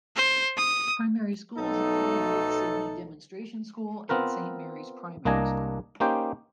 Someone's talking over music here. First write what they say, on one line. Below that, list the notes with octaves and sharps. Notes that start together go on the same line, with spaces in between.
Primary schools include North Sydney Demonstration School and Saint Marys Primary School.
C5
D#6
B1 A3 D#4 A4
B3 C4 F4 A#4 B4
C2 A#3 D4 D#5 G#5 A#5
A#3 C#4 D#4 G4 C5 G5